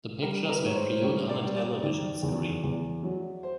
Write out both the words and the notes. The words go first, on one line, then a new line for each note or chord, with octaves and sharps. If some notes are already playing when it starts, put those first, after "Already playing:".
The pictures were viewed on a television screen.
G3 A#4
B4
A#4
G#2 C#5
C5
G3 C#5
D5
G3
D5
D#3 D5
E2
E2
F#3
C5